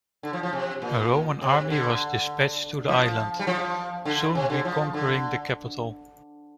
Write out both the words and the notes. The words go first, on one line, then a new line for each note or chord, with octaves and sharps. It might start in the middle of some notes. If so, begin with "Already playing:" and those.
A Roman army was dispatched to the island, soon reconquering the capital.
D3
F3
F3
C3
A#2
C3
D3
F3
G3
F3
D3
C3
D3
F3
D3